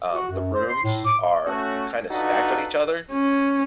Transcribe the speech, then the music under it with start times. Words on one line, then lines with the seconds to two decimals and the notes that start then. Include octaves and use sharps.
Um, the rooms are kinda stacked on each other,
0.14 F#4
0.30 F#2
0.54 C5
0.68 C6
0.83 A2
1.05 D6
1.46 A3 C#4 F#4
2.10 D4 D#4 F4 F#4 A4 B4
3.12 C#4